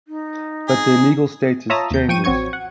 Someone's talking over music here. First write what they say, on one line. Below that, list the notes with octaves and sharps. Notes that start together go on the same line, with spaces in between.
But their legal status changes.
D#4
G#4
F4 C#5 E5 A5 A#5 D#6
D#2 G6
F3 G5 C#6 D#7
A1 C4 F#4 C#5 C#6 G#6
F#5